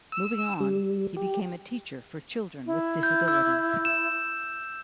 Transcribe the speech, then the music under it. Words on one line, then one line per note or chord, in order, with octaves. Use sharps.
Moving on, he became a teacher for children with disabilities.
E6
G3
G4
E4
G6
E6
E7